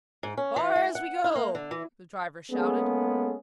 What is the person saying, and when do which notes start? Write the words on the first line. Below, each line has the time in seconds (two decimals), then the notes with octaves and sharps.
"Far as we go!" the driver shouted.
0.23 G#2
0.37 C#4
0.56 E3
0.76 G#3
0.95 F#5
1.24 E4
1.36 A#3
1.55 D3
1.71 E3
2.51 G#3 A#3 B3 C#4 G#4 A4